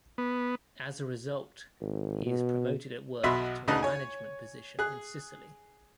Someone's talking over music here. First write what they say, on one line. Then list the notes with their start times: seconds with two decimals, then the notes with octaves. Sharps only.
As a result, he is promoted at work to a management position in Sicily.
0.18 B3
1.80 G#1
2.26 B2
3.23 B1 B2 F#4 E5 B5 C6
3.67 D2 C#3 D#4 B4 D#5 A5
3.83 C#5 G#5
4.79 G#4 F#6